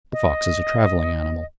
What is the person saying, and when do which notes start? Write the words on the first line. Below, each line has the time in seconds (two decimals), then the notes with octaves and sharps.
The fox is a travelling animal.
0.13 D#5